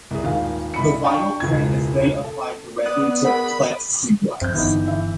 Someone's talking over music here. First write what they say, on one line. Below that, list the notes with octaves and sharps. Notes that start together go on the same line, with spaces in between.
The vinyl print is then applied directly to plexiglass.
C2 G#4
D#1 G#1 F5
C2 B5 C#7
D4 G5 A5 C#6
E1 C#2 G#6
A4
B3 D5 D#6 F#6
G#4 A#4 F#5 B5
F#2 F3 C4 G6
G1 D3 E3 B3 D#4
E3 E5